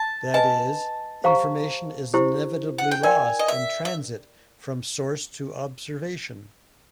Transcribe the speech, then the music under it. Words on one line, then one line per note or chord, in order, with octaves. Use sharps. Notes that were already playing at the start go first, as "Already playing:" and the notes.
That is, information is inevitably lost in transit from source to observation.
Already playing: A5
B4 D#5 G#5 A5
G4 C5 F5 A#5 C#6
E4 G4 C5
F#5
G5
A#4 D5 G5 G#5
D#5
E5
E5